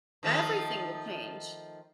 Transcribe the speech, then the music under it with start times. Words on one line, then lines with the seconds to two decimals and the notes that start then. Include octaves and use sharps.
Everything would change.
0.23 D#3 F3 A3